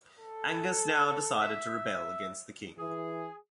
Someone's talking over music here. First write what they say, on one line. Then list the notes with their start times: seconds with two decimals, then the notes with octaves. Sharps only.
Angus now decided to rebel against the king.
0.19 A4
1.39 E5
2.78 E3 G#4